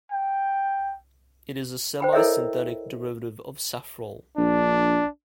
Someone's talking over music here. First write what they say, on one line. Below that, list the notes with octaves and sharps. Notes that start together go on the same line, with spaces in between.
It is a semisynthetic derivative of safrole.
G5
C5 G5 B5
E4 A4 A#4 C#5 D#5 E5
A#1 D4